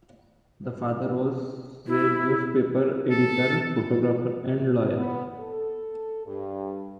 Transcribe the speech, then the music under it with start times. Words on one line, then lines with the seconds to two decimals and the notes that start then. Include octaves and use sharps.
Their father was a newspaper editor, photographer and lawyer.
1.87 E4
3.10 A4
4.97 B3
5.39 A4
6.26 G2